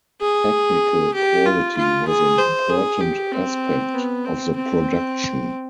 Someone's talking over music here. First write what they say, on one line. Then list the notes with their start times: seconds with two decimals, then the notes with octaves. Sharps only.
Technical quality was an important aspect of the production.
0.21 G#4
1.14 G4
1.46 F4
1.77 F4
2.08 G#4
2.38 C5
2.70 G#4
3.01 G4
3.32 C4
3.94 B3
4.25 C4
4.56 C4